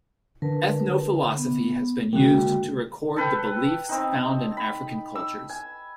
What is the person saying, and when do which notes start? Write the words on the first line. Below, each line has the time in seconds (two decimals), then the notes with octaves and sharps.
Ethnophilosophy has been used to record the beliefs found in African cultures.
0.42 D3 A#4 B4 A5
1.37 B3
2.13 D3 G#3 A#3 F#4 G5
3.16 A4 B4 G5
3.89 C4 D#4
4.57 B5
5.15 E6
5.49 G#5